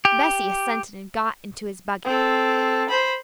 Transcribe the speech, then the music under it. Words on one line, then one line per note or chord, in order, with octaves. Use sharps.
Bessy assented and got into his buggy.
G4
C4 A4
C5 B5